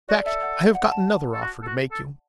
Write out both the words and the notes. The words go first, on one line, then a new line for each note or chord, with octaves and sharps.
In fact, I have got another offer to make you.'
F#4 D5
A4 E5
F#5
F#5
A5
A4
F#4
A4
F#4
A4